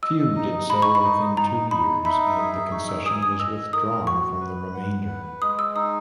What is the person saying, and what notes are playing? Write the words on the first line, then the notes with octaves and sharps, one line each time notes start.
Few did so within two years and the concession was withdrawn from the remainder.
D#5 E6
D#4
D#5 B5
C#6
B5
D#4
D#4 A#5
D#4 B5
E5 B5
G#4
D#4 C#6
E6
G#5 D#6
D#6
D#5 E6
A#4 D#6
F#4 C#6
B4
F#5
B4
G#3 D#6
E6
D#4 D#6